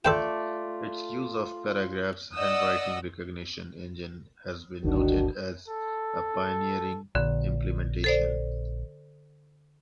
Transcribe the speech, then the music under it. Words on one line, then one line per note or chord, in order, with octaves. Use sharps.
Its use of ParaGraph's handwriting recognition engine has been noted as a pioneering implementation.
A3 F4 A4 C5 D5 G5
D5 D#5 F#5 D#6 E6
G1 D2 D#3 D4 F#4
A4
A#1 D3
A4 C5 D5